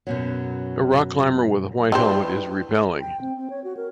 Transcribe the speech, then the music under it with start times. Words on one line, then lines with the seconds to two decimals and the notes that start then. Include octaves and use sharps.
A rock climber with a white helmet is repelling.
0.07 F#2 B2 F#3
1.92 G3 D4 E4 G4 B4 C5
3.00 G5
3.21 C4
3.37 C4
3.50 C#5
3.64 F#4
3.77 A#4